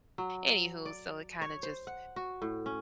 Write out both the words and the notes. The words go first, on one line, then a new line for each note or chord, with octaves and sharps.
anywho, so, it kinda just
F#3
D5
C#5
C5
F#5
F#4
A2
C#4